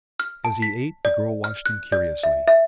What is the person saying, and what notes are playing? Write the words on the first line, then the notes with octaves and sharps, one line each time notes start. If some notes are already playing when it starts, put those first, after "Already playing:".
As he ate, the girl watched him curiously.
F6
A5
B6
D5
F6
F#6
D5
E5
E5